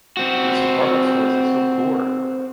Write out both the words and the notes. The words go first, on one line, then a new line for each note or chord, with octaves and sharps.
These department stores are so poor!
C4 F#4